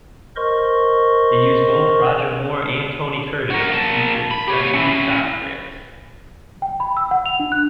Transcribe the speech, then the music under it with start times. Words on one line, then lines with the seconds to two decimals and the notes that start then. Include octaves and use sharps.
It used both Roger Moore and Tony Curtis to feature in specialty shot trails.
0.36 A#4 C5 D#5 C6 C#6
3.50 F#4 A#4
3.70 A#3 A5
4.31 B5
4.48 G4 C#5
4.74 C#4 E4
6.62 G5
6.80 B5
6.97 E6
7.11 F#5
7.26 F7
7.40 D4
7.52 F#6